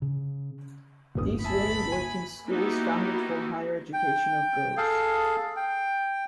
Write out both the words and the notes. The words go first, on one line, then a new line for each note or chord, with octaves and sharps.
These women worked in schools founded for higher education of girls.
C#3
D1 G1 D#2 B4 D#6
E5 G#5 A5 B5
G#5
A#3 B3 D#4 E4 F#4 G4
G5
G#4 A4 F5
G5